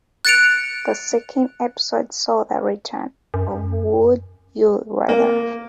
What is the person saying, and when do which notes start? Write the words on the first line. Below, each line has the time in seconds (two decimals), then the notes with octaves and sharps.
The second episode saw the return of Would You Rather?
0.25 F#6 A6 C#7 D7 F7
3.34 F#2
5.09 A#3